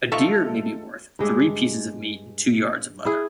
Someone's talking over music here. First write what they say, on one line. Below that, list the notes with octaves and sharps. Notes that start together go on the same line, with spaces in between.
A deer may be worth three pieces of meat and two yards of leather.
A3 D#4 F4 A4 E5 A5 C#6 F7
G2 G#3 D4 E5
E4 G#4